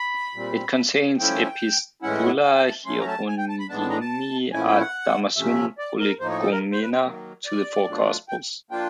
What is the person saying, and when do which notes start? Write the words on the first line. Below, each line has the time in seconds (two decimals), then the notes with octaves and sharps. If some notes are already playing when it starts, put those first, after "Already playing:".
It contains Epistula Hieronymi ad Damasum, Prolegomena to the four Gospels.
Already playing: B5
0.35 A#2 G3 C4
1.18 F3 A3 C#4 E4 G5
2.02 A2 E3 G#3 C#4 E4 F#5
2.44 F#5
2.55 G5
2.66 A5
2.86 F#3 A3 C#4 C6
3.00 A#5
3.07 A5
3.28 G#5
3.38 G5
3.49 A5
3.60 B5
3.69 A2 E3 G#3 B3 D4 A5
3.80 A5
3.90 A#5
4.01 A5
4.53 A#2 F3 A3 C#4 E4 G#5
4.67 G5
4.80 F#5
5.36 C3 F3 A3 C#4 E5
5.78 D5
6.00 A#4
6.20 A2 F3 A#3 D#4 C5
6.30 C#5
6.41 A4
6.52 A#4
6.72 C5
6.82 B4
6.93 C5
7.04 D#3 F#3 A#3
7.45 D5
7.87 B2 F#3 A3 D4 F4
8.29 G5
8.71 F3 A#3 D4 F4 G5